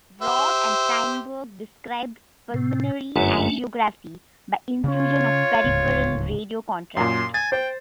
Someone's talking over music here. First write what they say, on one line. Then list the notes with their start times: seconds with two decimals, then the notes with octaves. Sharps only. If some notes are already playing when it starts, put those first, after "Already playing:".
Robb and Steinberg described pulmonary angiography by infusion of peripheral radiocontrast.
0.22 G4 C5 E5
2.54 A2 C3
3.16 G1 F#2 A3 C#4 D4 B4
4.84 C#3 C4 C#4 F4 C#5
5.64 D1 C#2 G#2
6.97 F#2 A#2 C6
7.34 G#5 A6
7.52 C5 G5